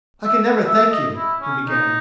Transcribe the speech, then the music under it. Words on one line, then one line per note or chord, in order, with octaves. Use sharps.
"I can never thank you," he began.
E5
E5
D#5
E4
C#4
D#4